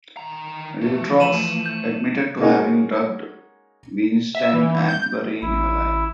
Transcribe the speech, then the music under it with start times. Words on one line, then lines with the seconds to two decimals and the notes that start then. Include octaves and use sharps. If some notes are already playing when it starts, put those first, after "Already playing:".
Dutroux admitted to having drugged Weinstein and burying him alive.
0.17 D#3 A#5
0.82 E3 F3 A3
1.20 D#7 E7 F#7
1.66 G6
2.40 G#3 A#3 C#4 D#4 F#4
4.35 E5
4.53 E3
4.89 G6
5.42 A1 E4